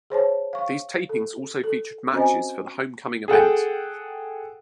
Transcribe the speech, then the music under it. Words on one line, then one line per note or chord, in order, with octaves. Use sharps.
These tapings also featured matches for the Homecoming event.
G#4 C5 C#5 A5
F5 C#6
A4
A4
C4 C#4 F#4 C5 D#5 G#5
G#4 A4 F#5 G5